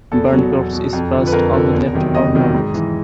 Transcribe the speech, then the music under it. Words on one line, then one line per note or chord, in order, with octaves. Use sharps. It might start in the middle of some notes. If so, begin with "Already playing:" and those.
Barn copse is passed on the left or north.
E2 A4
B2 F#3
E2
B2 F#3
F2
D3 F3
B4
F2 A#4
D3 F3
E2
C3 D#3 F#3
E2 D#5
C3 D#3 F#3
G#2
E3